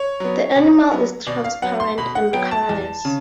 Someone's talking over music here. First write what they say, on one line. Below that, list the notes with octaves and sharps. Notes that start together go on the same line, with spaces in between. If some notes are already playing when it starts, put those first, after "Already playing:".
The animal is transparent and colourless.
Already playing: C#5
F#3 B3
B2
F#3 B3
B2 D5
F5
F#3 B3 F#5
C6
B2 B5
F#5
F#3 B3 G5
A5
E2
C#3